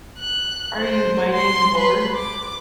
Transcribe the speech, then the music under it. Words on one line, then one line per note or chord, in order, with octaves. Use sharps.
Are you biting the board?
F#6
C5
C6
B4
D6